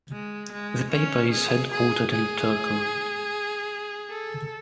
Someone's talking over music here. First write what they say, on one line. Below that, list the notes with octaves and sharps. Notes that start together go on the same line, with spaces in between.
The paper is headquartered in Turku.
G#3
G#3
C#4
G#4
G#4
G#4
A4